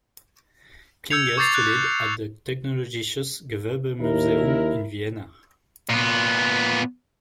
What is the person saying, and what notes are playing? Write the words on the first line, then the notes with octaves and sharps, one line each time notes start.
Klinger studied at the Technologisches Gewerbemuseum in Vienna.
E6 G6 G#6 C#7 F7
C#6 D6 G6 A6 C7 F7
F#6
D#2 E4 A#4
A#2 B3